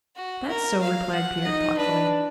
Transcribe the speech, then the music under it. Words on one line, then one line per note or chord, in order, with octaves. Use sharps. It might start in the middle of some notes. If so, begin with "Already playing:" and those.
"That's so," replied Peter thoughtfully.
F#4
A#4
F5
F#5
D#4 D#5
D4 B4